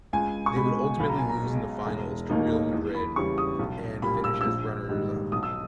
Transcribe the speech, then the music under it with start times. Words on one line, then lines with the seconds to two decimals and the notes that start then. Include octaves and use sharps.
They would ultimately lose in the finals to Real Madrid, and finish as runners-up.
0.13 C#2 G#5
0.46 C#6
0.56 B2 G#3 B5
1.00 B1 B5
1.09 A#5
1.19 G#5
1.29 A#5
1.43 B2 G#3
1.86 E1
2.29 D#2 D#3 A#3 D#4
2.73 E2
2.94 B5
3.16 C#3 E3 G3 C#4 C#6
3.38 D#6
3.59 B1
4.02 A#2 G3 A#3 B5
4.24 E6
4.41 E6
4.46 A#1
4.89 G#2 D#3 G3
5.32 B1 D#6
5.43 E6